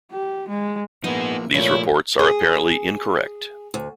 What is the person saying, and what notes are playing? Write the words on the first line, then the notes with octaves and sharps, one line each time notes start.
These reports are apparently incorrect.
G4
G#3
F3 A#3 B3 D#4 E4 G#4
A#2 F3 A3 E4 C#5
G#4
D2